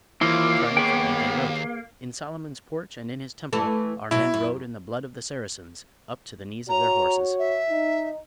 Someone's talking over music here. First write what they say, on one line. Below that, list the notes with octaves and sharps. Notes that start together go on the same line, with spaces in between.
Triumphantly they wrote "In Solomon's Porch and in his temple our men rode in the blood of the Saracens up to the knees of their horses."
D#2 E3 A#3 E4 F4 C5
B3 G#4 B4 C#5 G5
E3 A3 A4
B2 F#3 E4
F#2
F#4 C#5 A#5
E5
D#4